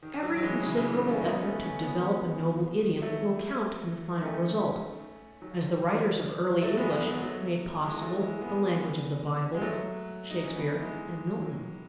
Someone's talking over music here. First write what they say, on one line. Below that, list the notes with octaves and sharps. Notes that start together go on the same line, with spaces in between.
Every considerable effort to develop a noble idiom will count in the final result, as the writers of early English made possible the language of the Bible, Shakespeare, and Milton.
D#3
D#3 F#3
F#3
E3 G#3
C#3 E3
C#3 E3
D#3 F#3
A3 C#4
B3 D#4
A3 C#4
A3 C#4
G#3 B3
F#3 A3
D#4
A3 C#4
D#3 F#3
F#3 A3
G#3 B3
G#3 B3
F#3 A3
F#3 A3
E3 G#3
F#3 A3
E3 G#3
G#3 B3
G#3
F#3 A3
D#4
C#4
B3
A3
E3 G#3
D#3 F#3